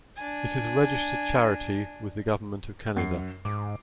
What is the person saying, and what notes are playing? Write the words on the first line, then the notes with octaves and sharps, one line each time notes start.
It is a registered charity with the Government of Canada.
D4 G#5
F#2 C7
G#2 D6